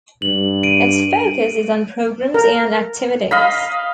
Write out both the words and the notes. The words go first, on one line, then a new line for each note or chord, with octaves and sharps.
Its focus is on programs and activities.
G2 F#7
D7 D#7
A#4
D#5 F5 B5